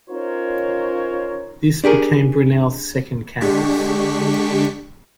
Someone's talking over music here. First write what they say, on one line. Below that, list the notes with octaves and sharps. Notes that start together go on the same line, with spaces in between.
This became Brunel's second campus.
C#4 D#4 F4 A#4 C5 C#5
D4 G4 G#4 A#4
D3 G#3 D4 G4 C#6 B6